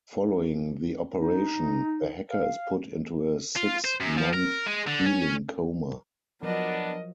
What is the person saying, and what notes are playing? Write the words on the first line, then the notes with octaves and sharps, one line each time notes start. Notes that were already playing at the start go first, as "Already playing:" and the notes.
Following the operation, the hacker is put into a six-month healing coma.
D#4
F5
F4
C5
F#2
F3
A#4
G#3
D3
C#4
F3 F#3 B3 D4 A#4 D#5